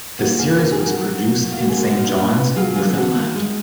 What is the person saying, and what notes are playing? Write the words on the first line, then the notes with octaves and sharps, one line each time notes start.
The series was produced in Saint John's, Newfoundland.
A#3 D#4 F#4
A#3 F4 G#4
D#3 A#4
G#4
D#3
F#4 A#4
F#3
B2
B2
F4
A#3 F#4
G#4
G#3 F#4 A#4
A#2 D#4 F#4
A#2 D4 F4
B3
F#3 F4 G#4
D3 F4 G#4
D3 D#4 F#4
A#3
G#3 D#4